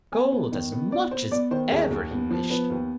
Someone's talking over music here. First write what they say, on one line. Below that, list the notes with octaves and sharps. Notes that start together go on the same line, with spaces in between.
Gold as much as ever he wished.
B3 G#5
B3
D#3
B3
B3 D5
B3 C5
B3 D5
D#3 C5
D#2 G#4
D#2
B3
F3
B3 B4
D#2